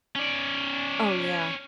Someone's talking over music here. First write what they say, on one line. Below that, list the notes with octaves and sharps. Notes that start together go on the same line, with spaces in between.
Oh yeah.
C#4 D5